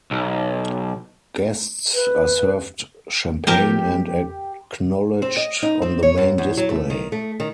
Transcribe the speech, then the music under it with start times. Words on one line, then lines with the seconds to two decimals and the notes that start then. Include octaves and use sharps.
Guests are served champagne and acknowledged on the main display.
0.11 B1
1.94 B4
3.47 F3 B3 G4 A#4 A5 A#5
5.22 C4
5.37 D#5
5.63 D#4
5.82 C4
6.03 C#5
6.18 F#2
6.38 E2
6.57 F#3
6.70 A3
6.90 D#3
7.12 A3
7.40 D#3